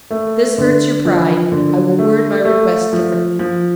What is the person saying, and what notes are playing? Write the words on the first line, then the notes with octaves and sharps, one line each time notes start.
If this hurts your pride, I will word my request differently.
A3
D3
F3
D3
A3
A3
F3
F3